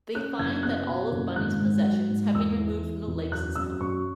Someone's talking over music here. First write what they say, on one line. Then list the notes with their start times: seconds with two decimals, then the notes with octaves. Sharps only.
They find that all of Bunny's possessions have been removed from the Lakes' home.
0.15 C#4 F#6
0.39 F#1 G#6
0.63 B3 F#6
0.87 B2
1.12 F#1
1.36 G#1 F#6
1.61 G#2
1.86 F#3
2.10 G#2
2.35 E2 E6
2.58 E3
2.83 E3
3.07 E2
3.31 F#2 F#6
3.55 F#2 E6
3.81 F#2 C#6